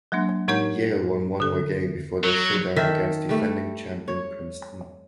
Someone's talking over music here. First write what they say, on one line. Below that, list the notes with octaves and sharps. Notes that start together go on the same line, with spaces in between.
Yale won one more game before their showdown against defending champion Princeton.
F#3 G#3 A#3 D4
A2 G#3 D#4 A#4 C#5 G6
D3 A4
F#3
D#3 A4 E5
G3 A3
C#5